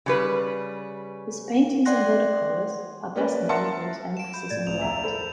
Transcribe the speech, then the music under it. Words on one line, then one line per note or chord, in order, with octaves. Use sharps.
His paintings and watercolors are best known for his emphasis on light.
C#3 G3 B4
D5 F#5 G5 C6 F#6 A#6
A#3 C#4 B4 D5
A#4 E5 F#5 A5 C6 C#7
D7 E7
B5 G6
A2 D5 A6
C#2 F7
E2 E5 F5 A#5
A4 A#4 C5 B5